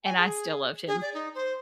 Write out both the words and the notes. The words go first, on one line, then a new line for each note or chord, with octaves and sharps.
and I still loved him,
G#5
G#4
G#4
D5
D#4
C5